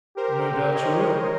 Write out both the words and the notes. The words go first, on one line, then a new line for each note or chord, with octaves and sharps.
"No doubt you will!"
G4 A#4 C5
C#5 D#5